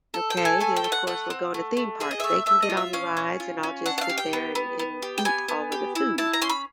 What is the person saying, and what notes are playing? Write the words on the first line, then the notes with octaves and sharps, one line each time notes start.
okay, then, of course, we're going to theme parks; they can get on the rides, and I'll just sit there and and eat all of the food.
A4
G5
A4
G#5
A3 G#5
G5
A3
F#5
A3 F#5
C4
A3
A3
G#4 E5
D#5
A3 E5
A3 E5
D#5
F4
E5
C#4 F5
C#4
F4
C#4
D4 F#5
F#5
F5
G4
G5
B3
B3
B3
G4
G5
B3 G#5
B3
G4
E4
E4 A5
A#5
C#4 C6
B5